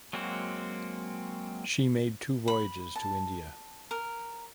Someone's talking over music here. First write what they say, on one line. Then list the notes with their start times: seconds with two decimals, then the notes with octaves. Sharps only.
She made two voyages to India.
0.13 F#3 G#3 A#3 C4 F#4
2.48 B5
2.95 A5
3.91 A#4